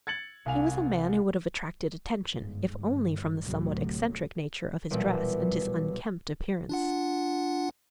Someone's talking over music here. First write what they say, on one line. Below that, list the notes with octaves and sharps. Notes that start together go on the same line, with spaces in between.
He was a man who would have attracted attention, if only from the somewhat eccentric nature of his dress and his unkempt appearance.
G#6 A6 C#7 F#7
C2 F5 G#5 F7
G1 G#2
G1
D2 A2 C3 F#3
B1 A#2 E3 G3
D4 F4 F#5